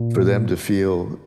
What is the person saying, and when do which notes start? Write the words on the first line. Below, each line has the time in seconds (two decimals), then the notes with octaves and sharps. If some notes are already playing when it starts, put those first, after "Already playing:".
for them to feel,
Already playing: A#2